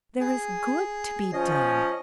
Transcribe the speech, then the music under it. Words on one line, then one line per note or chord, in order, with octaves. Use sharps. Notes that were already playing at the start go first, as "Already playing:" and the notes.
There is good to be done!
G#4
F3 C#4 D#5